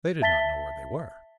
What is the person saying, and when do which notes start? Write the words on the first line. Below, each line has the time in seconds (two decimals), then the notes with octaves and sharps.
They did not know where they were.
0.22 E5 A5 A6 B6 G7